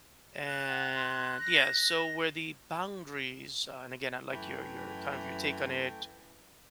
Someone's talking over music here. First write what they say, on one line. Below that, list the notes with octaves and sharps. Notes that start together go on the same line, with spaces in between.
And yeah, so where the boundaries, uh and, again, I like your your kind of your take on it,
F#6
F#5
C6
A#6
F#2 E3 A3 G5 G#5